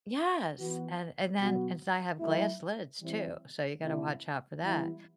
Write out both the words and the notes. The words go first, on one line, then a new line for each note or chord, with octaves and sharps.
Yes, and and then and so I have glass lids too, so you gotta watch out for that,
E3 B3 F#4
B2 F#3 B3 F#4
F#3 A3 E4
E3 G3 C4 E4
C3 D#3 A3 E4
E3 G3 B3 E4